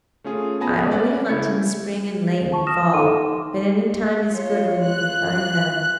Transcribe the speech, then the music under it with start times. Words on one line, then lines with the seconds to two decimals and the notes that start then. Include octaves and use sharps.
I only hunt in spring and late in fall, but any time is good when you can find them.
0.24 A3 C#4 F4 G#4
0.60 B3 G#4 G#5 A5 B5 A#6
0.90 A#3 C#4 B4 D5 E5 F#5
1.29 C#3 A3 E4 G#6 C#7
2.52 A5 C#6
2.66 A5 D#6 F6 A#6 E7
2.94 D#4 A4 F#5 C6 D6 D#7
4.31 F4 C#5
4.83 F4 F#6